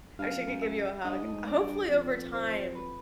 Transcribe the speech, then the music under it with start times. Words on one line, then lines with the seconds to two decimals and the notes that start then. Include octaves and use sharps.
I wish I could give you a hug. Hopefully, over time,
0.19 G2 F5
0.29 F#2
0.38 F2
0.47 F#2
0.62 E5
1.04 G2 D#5
1.23 A2
1.33 G#2
1.47 F#2 D5
1.61 G2
1.89 F2
2.33 C5
2.75 B4